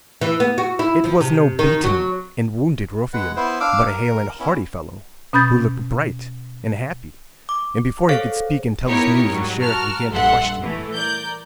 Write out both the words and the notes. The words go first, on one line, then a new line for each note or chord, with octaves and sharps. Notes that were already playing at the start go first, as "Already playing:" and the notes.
It was no beaten and wounded ruffian, but a hale and hearty fellow, who looked bright and happy, and before he could speak and tell his news the Sheriff began to question him.
E3
B3
F#4
E4
F3
C3
D#3
F#3
G#3 B4 F#5
B3 E4 C5
D4 F5 D6 E6
A#4
B3 C#4 E4
B2 C#4 B5 D#6 G6 A6
D6
G#4 A4 C5 C#5 F5
B3 D#4 E4 G4 A#4 C#5
G#2 F#3 G3
F#4 A#4 A5 F6
A#1 G2 A4 E5 F#5 C6
E3 A3
A#4 D5 G6